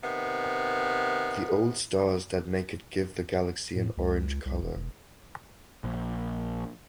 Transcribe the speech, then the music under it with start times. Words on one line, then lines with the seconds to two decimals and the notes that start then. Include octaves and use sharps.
The old stars that make it give the galaxy an orange color.
0.03 C3 D#3 B3
3.76 A2
3.97 C#2
4.45 C2
4.62 E1
4.75 E1
5.84 A#1